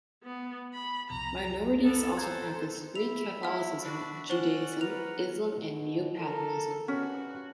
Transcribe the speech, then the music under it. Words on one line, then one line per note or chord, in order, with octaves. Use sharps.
Minorities also practice Greek Catholicism, Judaism, Islam and Neopaganism.
B3
B5
C2 F2 B2 A#5
B3 A4
A4 C5 A#5 F#6 G#6
E5 B5 F7
E4 F#5 F6
D4 F#4
C#4 F#4 C5 D5 F#5 G7
A#4 B4 F#5 F7
B2
A4 A#4
G2 C#4 F#4